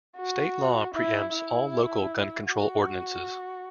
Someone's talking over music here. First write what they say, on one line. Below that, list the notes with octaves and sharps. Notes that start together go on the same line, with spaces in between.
State law pre-empts all local gun control ordinances.
F#4
E4
E4
F#4